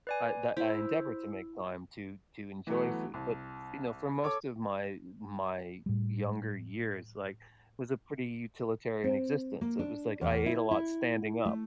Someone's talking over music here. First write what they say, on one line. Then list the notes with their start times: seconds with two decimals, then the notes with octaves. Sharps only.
I that I endeavor to make time to to enjoy food, but, you know, for most of my my younger years, like, was a pretty utilitarian existence, it was like, I ate a lot standing up,
0.07 B4 D5 G#5
0.57 E4 C5
2.67 E3 F#3 A3 B3
3.14 C2
4.23 A4 C#5 D6
5.86 A2 G3
9.04 C4
9.61 A#3
9.79 D4
10.21 E2
10.46 E4
10.71 E4
11.45 A3